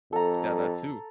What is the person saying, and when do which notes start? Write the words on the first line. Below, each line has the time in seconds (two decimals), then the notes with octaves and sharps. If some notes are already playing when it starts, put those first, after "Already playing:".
Yeah, that too.
0.13 F2 A4 A#5